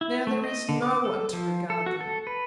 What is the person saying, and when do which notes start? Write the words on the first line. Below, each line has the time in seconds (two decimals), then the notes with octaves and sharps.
Now there is no one to regard them.
0.01 E4
0.27 A3
0.44 D#5
0.69 D3
0.82 D6
1.05 A4
1.33 F3
1.70 A4
1.86 F#4
2.01 A4
2.27 B4